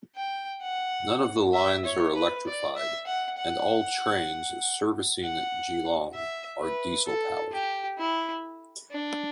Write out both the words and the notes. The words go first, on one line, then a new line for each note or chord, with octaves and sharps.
None of the lines are electrified and all trains servicing Geelong are diesel powered.
G5
F#5
E5
C#5
B4
D5
E5
F#5
F#5
F#5
E5
B4
A4
G4
E4
D4